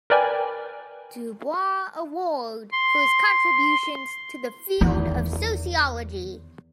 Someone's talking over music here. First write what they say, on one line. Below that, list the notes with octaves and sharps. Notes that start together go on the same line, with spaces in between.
Du Bois Award for his contributions to the field of sociology.
A#4 B4 D5 G5 G#5
C6
E2 D#3